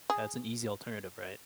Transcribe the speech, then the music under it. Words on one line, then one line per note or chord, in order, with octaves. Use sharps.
yeah, it's an easy alternative, right?
G#4